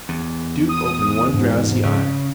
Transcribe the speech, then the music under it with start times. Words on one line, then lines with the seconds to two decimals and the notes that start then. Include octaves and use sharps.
Duke opened one drowsy eye.
0.09 E2
0.69 D#6
1.34 G#2
1.84 C#3